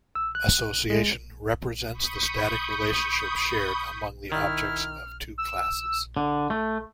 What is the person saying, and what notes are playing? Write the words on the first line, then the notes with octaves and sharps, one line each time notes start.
Association represents the static relationship shared among the objects of two classes.
E6
F#6
G#3
B5 C#6 D#6 G6
D#3 E4 F6
E6
D3
A3